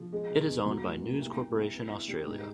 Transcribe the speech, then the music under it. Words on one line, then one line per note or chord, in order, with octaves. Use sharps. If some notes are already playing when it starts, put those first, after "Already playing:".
It is owned by News Corporation Australia.
Already playing: F3
G#3
B2
E2
F#3
A2
A#3
C2
C2
C2
B3
E4
G3
G#2